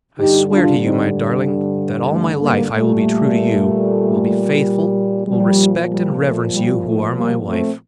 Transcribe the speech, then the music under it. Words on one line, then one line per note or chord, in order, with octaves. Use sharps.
I swear to you, my darling, that all my life I will be true to you, will be faithful, will respect and reverence you who are my wife.
G2 D3 G3 D#4 G4
D4 F4
C4 D#4
A3
G3 A#3
A#2 G3 A3
A#2 F3 G3
G3
A3
G3
A3
G3 A#3
A3 C4